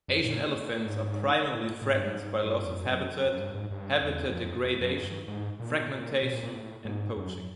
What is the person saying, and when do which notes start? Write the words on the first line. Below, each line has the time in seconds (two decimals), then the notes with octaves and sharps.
Asian elephants are primarily threatened by loss of habitat, habitat degradation, fragmentation and poaching.
0.08 F#2
0.24 A#2
0.56 A2
0.70 A#2
0.78 A2
0.87 G#2
1.45 G#2
1.50 A2
1.82 A2
1.90 G#2
1.98 G2
2.07 G#2
2.44 G2
2.65 F2
2.76 F#2
2.86 G2
2.92 F#2
3.29 F#2
3.39 G2
3.55 G#2
3.71 G2
4.02 E2
4.29 F#2
4.34 F2
4.65 F2
4.81 F#2
4.96 G2
5.28 G#2
5.60 A#2
5.70 B2
5.81 A#2
6.22 B2
6.33 A#2
6.43 A#2
6.54 A2
6.85 G#2
7.17 F#2